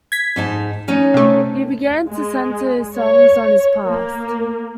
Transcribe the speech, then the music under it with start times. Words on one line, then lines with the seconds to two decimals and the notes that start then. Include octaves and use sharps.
He began to centre his songs on his past.
0.12 G#6 B6
0.36 G#2 D#4 A5
0.88 C#4 D#4 C#5
1.14 C3 A3
2.06 G#3
2.96 C#5
3.85 A#3